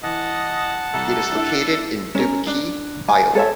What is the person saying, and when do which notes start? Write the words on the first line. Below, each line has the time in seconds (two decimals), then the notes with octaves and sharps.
It is located in Dubuque, Iowa.
0.03 E3 D#5 F#5 A5
0.94 C2 A4
1.32 D4 E4
2.15 C#4 A#4
2.47 D4
3.08 G#5
3.35 A4 C#5 E5